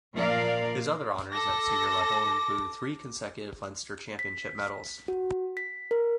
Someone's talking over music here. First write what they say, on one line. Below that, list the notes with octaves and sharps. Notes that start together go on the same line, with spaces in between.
His other honours at senior level include three consecutive Leinster Championship medals.
A#2 F3 A#4 D5 F5
A4 D6 A#6
B6
F#4
B6
A#4